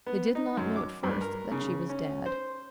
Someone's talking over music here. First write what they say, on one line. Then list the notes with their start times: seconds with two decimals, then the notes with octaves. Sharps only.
They did not know at first that she was dead.
0.06 B3
0.35 D#4
0.57 F#2
0.76 D6
1.03 G2
1.21 A#4
1.52 C#3
1.89 C#4
2.26 C5